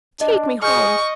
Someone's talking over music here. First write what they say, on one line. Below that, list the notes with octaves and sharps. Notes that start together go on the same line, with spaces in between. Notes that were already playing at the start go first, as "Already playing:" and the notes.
Take me home!
D4 D#5
G#4 D#5 C#6 F6 G6